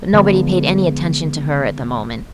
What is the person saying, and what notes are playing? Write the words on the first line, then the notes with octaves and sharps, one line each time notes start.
But nobody paid any attention to her at the moment.
D3 F3 G#3 B3